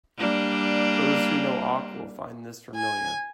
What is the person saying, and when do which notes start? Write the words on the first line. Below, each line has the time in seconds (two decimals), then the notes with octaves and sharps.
Those who know awk will find this familiar.
0.18 G3 A#3 D4
2.76 G#5